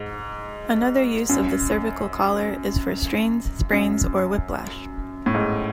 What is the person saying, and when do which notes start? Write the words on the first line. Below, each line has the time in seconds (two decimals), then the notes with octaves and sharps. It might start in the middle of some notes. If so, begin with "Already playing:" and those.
Another use of the cervical collar is for strains, sprains or whiplash.
Already playing: G#2
1.29 F#2
3.73 F#2
5.26 A2
5.34 G#2